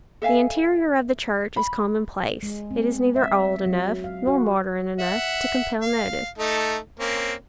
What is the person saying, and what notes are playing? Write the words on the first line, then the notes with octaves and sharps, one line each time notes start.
The interior of the church is commonplace; it is neither old enough nor modern enough to compel notice.
A4 E5 F5 G#5
B5
G#3
C4
E5
F#3
F5
F#4
E5 F#5
F5
A3 D#4 A4
A#3 C4 C#4